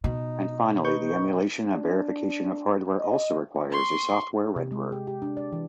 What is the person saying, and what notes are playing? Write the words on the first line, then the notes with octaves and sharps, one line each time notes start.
And finally the emulation and verification of hardware also requires a software renderer.
B2 D#4
D#4 B4 C#6 G6
D4
D#5
C6 C#6
C3
G#3
G4
G4
D4
D5
E3